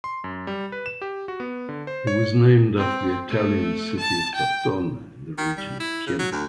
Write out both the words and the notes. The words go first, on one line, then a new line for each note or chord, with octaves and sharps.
It was named after the Italian city of Tortona in the region Piemont.
C6
F#2
G3
B4
E7
G4
F#4
B3
D3
C5
C#5
C4
A3
A5
G5
D#3
G3
E4
C#3
F#3
D2